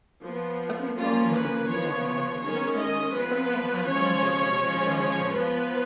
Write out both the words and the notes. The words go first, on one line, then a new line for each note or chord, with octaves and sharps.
Of the approximately three dozen operas written, only a handful are regularly presented.
F3 B3
F3 A#3 C#4 F4
B4
F3 B3 C#5
D#3 G#3 C#4 C#5
D#5
F3 B3 B4
F3 G#3 C#4 C#5
F3 G#3 C#4
C#5
F3 B3 B4